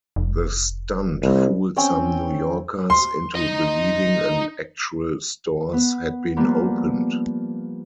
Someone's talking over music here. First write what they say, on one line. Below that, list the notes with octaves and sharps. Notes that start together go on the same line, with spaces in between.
The stunt fooled some New Yorkers into believing an actual stores had been opened.
F1
C2
C4 C#4 G5
C6
D#4 D#5
B3
F3 G3 A#3 B3